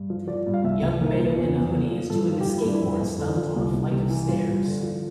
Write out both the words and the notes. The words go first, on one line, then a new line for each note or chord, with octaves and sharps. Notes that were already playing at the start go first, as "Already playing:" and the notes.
Young male in a hoodie is doing a skateboard stunt on a flight of stairs.
Already playing: G2
F3
F3 D5
G2
F5
C2 E5
C2
A#2 A#4
C5
F3
E2
E2
D3
F3
G2 A4
F3
F4
G4
F3 F4
E4
G2 D4
E4
F2
F2
D3
F3
C2
C2
C3
E3
G2 F4
G2
D3
F3